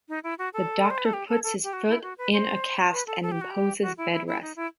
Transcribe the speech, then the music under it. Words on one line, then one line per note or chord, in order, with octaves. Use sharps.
The doctor puts his foot in a cast and imposes bed rest.
D#4
E4
F#4
A4
C5
B4
A4
G4
A4
A4
G4
F#4
E4
F#4
B4
C5
B4
A4
A4
G4
F#4
G4
F#4
E4
E4
E4
D#4
E4